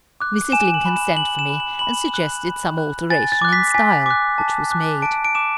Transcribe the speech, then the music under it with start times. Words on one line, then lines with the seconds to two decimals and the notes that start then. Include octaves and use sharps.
Mrs. Lincoln sent for me, and suggested some alteration in style, which was made.
0.21 D6 F#6
0.52 G#5 E7
0.74 F#7
0.86 B5 F#6
0.96 E7
1.17 G#5 F#7
1.39 E7
1.50 B5 F#6
1.60 F#7
1.79 B5 F#7
2.14 F#6
2.46 B5
2.78 F#6
3.10 G#5 A6
3.32 A6
3.42 D6 F#6
3.53 B6
3.74 G#5 B6
4.06 D6 F#6
4.38 A5
4.70 D6 F#6
5.02 A5 D7
5.25 D7
5.35 D6 F#6 E7